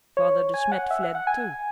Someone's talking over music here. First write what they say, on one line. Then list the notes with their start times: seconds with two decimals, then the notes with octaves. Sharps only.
Father De Smet fled, too.
0.17 C#5
0.54 G#5
0.72 F#5
0.91 E5
1.03 F#5
1.15 F#5
1.27 G#5